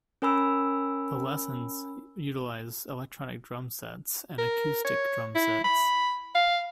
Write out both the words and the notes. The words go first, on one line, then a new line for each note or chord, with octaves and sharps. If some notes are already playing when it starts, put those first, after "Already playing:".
The lessons utilize electronic drumsets and acoustic drumsets.
C#4 A#4 G#5 B5 E6
A#4
C#5
E4
B5
F5